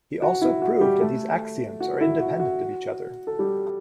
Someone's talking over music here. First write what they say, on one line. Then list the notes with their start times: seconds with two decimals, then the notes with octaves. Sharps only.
He also proved that these axioms are independent of each other.
0.22 F#4
0.42 E4
0.62 F#4
0.81 G3 G4
1.01 A3 A4
1.80 F#4
2.01 E4
2.20 F#4
2.40 F#4
3.27 A4
3.39 G3 G4